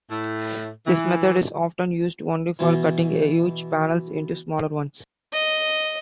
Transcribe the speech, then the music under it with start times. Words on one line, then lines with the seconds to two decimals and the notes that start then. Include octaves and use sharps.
This method is often used only for cutting huge panels into smaller ones.
0.10 A2
0.86 E3
2.59 B2 E3
5.32 D#5